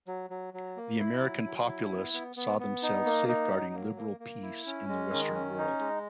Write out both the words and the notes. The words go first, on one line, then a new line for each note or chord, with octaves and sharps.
The American populace saw themselves safeguarding liberal peace in the Western World.
F#3
F#3
F#3
A#3
E4
F#3
F#3
E4
B3
B3
B3
B3
D#4
A#3
D#4
F#3
A#3
A#3
A#3
E4
C#4
G#3
D#3
C#4
D#4
G#3